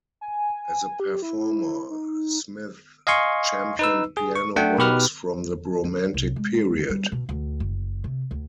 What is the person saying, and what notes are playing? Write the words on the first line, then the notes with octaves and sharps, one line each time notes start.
As a performer, Smith championed piano works from the romantic period.
G#5
G4
E4
D#4
D#5 F5 G#5 C6 C#6
D#4 B4 E6
G#4
C#6
A3 D4 F#5 G5
B2 D#4 G4 B4 F6
D4
C2
G#3
G3
B2
D2
F#1
C3
D2